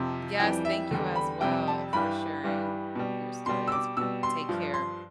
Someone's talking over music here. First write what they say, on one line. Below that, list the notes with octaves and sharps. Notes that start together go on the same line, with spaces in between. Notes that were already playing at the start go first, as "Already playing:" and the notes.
Yes, thank you as well for sharing your story as Take care.
Already playing: F2 C3 F3
F2 E3 G3 G5
E5
E2 D3 G3
B5
F2 C3 G3 G5
A5
G2 E3 G3 B5
G2 E3 G3
B2 G3
B2 G3 C6
E6
D6
B2 G3 E6
C6
G2 F3
C6